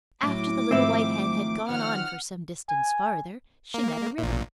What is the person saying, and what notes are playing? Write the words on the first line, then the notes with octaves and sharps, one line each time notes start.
After the little white hen had gone on for some distance farther she met a river.
A2 F#3 A3 D6
G#2 D#3 F3 C4 E4
D#3 F3 F#5 F6
G#5
A#3
A#1 A#2